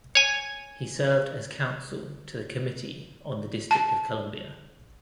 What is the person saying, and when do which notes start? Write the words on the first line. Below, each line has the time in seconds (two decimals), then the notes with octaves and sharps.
He served as counsel to the Committee on the District of Columbia.
0.15 C#5 G#5
3.71 A5